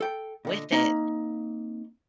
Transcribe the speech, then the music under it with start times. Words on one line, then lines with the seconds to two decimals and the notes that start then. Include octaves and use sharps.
with it.
0.01 A4 G5
0.45 A#2 D3 D#5
0.72 A#3 C4 D#4